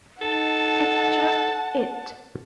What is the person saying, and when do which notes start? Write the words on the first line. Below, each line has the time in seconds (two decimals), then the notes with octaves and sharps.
It's just 'It'.
0.22 D#4 A4 F#5 A5